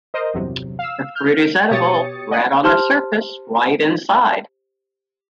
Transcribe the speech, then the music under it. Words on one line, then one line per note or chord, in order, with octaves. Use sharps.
The fruit is edible, red on the surface, white inside.
A#4 C5 D#5
G1 E2 C3 F#3
F5 E6
F6 G6
B2 G4 C#5 D#6 A6 C#7
D5 D#5 F#5 G#5
G4 C5 A5 C6 F6